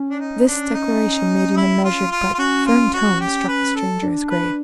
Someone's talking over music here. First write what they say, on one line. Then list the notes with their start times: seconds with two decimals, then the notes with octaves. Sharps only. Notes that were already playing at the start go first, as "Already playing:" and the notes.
This declaration, made in a measured but firm tone, struck the stranger as grave.
Already playing: C#4
0.10 D4
0.20 D#4
0.47 D4
0.74 D#4
1.57 E4
1.84 F4
2.11 F4
2.34 F4
2.38 C#4 F#4
2.66 F4
2.93 F#4
3.20 G4
3.48 B4
3.75 A4
4.02 D4
4.30 B4